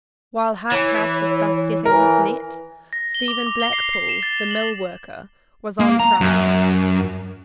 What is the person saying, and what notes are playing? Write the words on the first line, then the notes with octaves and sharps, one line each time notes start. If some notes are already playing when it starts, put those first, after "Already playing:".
While Harthouse was thus setting his net, Stephen Blackpool, the mill worker, was on trial.
E3 C#5
E3 A#4
A#6
G7
D6
D6
G7
C7
C7
E7
A6
F#7
A#3
A#5
F#2